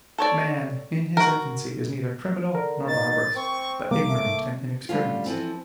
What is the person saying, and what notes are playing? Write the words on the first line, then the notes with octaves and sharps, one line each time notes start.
Man, in his infancy, is neither criminal nor barbarous, but ignorant and inexperienced.
A4 C#5 D5
F#4 A#4
D3 A#4
D#3 A6
C4 C#6
C2 A#3 D6
A3
D3 G3 A3 C#4 F4
E3 F3 C4 A4